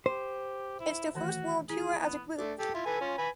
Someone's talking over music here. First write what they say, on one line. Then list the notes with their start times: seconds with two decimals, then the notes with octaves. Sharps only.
It’s their first world tour as a group.
0.06 G4 C5
0.80 E4
1.15 D#3 E3 A3 F#4
1.70 E4 G#4
1.99 B3
2.37 A3 D4
2.58 G4 A4
2.74 E4 F4
2.86 A4 B4 G#5
3.00 C#4 F4
3.18 B4 G#5 B5